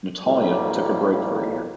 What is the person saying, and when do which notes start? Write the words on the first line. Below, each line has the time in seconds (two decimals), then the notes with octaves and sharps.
Natalia took a break for a year.
0.24 B1 A2 F3 G3 A#3